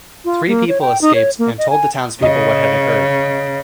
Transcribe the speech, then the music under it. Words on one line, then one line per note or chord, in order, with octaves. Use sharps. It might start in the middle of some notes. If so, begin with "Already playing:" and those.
Three people escaped and told the townspeople what had occurred.
F4
A#3
C#5
G5
D#4
C#5
A#3
D#5
G#5
C#3 D#5